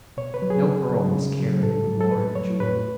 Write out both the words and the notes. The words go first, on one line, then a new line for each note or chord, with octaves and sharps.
No earl must carry memorial jewel.
B2 C#5
B4
F#3
G#4
C#3
F#3
C#3
F#3
A2 A4
F#3
A4
A2 B4
F#3 C#5
A2 B4